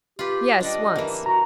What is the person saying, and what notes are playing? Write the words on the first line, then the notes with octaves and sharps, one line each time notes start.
"Yes, once."
F4 G4 B4
G3 D4 D#5
E3 A#3
F#4 A#5